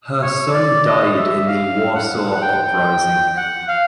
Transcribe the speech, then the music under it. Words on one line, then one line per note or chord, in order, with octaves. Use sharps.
Her son died in the Warsaw Uprising.
C#5
D5
D#5
E5
F5
F#5
F#5
G5
F#5
F5